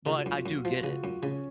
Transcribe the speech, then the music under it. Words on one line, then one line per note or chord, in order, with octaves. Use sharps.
But I do get it.
C#3 F4
F#4
F#2 F4
F#4
F#2 F4
F#4
F3 F4
C#3 F#4
F4
F#2
C#3 C#4